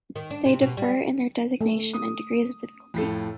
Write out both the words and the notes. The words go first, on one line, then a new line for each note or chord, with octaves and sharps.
They differ in their designation and degrees of difficulty.
D#3
D4
C3
B2
G3
A3
D#6
F2 A2 A4